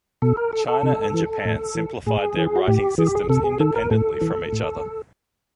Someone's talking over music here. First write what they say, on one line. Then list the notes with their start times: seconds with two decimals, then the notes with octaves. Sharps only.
China and Japan simplified their writing systems independently from each other.
0.22 B2 A4
0.37 A#4
0.53 A4
0.68 A4
0.83 C3
1.14 E3
1.45 A2
1.75 E3
2.06 A2 G#4
2.36 E3
2.56 F#4
2.67 A2 G4
2.98 E3 G#4
3.07 G4
3.15 G#4
3.29 C3 A4
3.44 G#4
3.60 D#3 A4
3.76 A#4
3.91 A2 A4
4.21 E3
4.53 A2